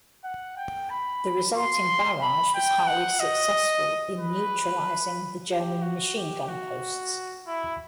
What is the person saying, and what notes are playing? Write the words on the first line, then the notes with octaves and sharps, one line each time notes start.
The resulting barrage was highly successful in neutralising the German machine-gun posts.
F#5
G5
B5
C6
B5
G5
F#5
D#5
B4
G4
F#4
G4
F#4
E4